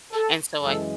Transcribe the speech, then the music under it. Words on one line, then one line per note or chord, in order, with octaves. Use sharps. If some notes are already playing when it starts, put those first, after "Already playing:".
And so I
A4
F#2 E3 G#3 A4